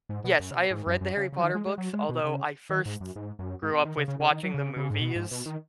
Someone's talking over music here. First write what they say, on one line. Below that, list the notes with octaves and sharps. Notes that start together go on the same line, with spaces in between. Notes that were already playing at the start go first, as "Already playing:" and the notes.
Yes, I have read the Harry Potter books, although I first grew up with watching the movies.
G#2
B2
F#2
C#3
B2
G#2
F#2
F#2
C#3
C#3
F#3
D#3
G#3
G#3
F#3
G#3
B2
C#3
D#3
G#2
F#2
G#2
F#2
G#2
B2
D#3
C#3
C#3
C#3
D#3
F#3
C#3
C#3
G#2
B2
G#2
B2
D#3